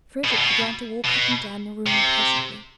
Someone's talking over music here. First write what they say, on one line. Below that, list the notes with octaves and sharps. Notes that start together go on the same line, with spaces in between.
Frederick began to walk up and down the room impatiently.
B2
A2
B2
B2
C3